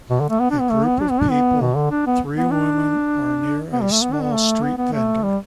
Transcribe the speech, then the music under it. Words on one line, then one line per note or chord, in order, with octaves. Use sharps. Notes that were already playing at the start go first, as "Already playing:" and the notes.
A group of people, three women are near a small street vendor.
B2
D3
A3
B3
D4
B3
A3
B3
D4
B3
D4
B3
B2
D3
D4
B3
B3
D4
B3
G3
A3
B3
D4
B3
A3
B3
B3
A3
G3